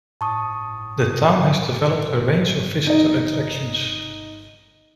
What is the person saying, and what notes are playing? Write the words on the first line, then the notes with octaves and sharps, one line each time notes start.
The town has developed a range of visitor attractions.
A2 A5 C#6 D#6
D#4 D#5